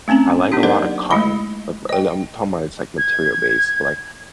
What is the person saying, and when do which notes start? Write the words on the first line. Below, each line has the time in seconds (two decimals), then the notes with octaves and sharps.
I like a lotta cotton, if I I'm talking about it's, like, material-based, but, like,
0.08 A3 C4 C#4 G#5 A#5
0.52 B3 D4 D#4 G4
0.63 F#3 A#3 A#4 C5 D5 F#5
1.11 G#3 A3 E4 D#5 B5
1.89 D#5 G5
2.98 G#6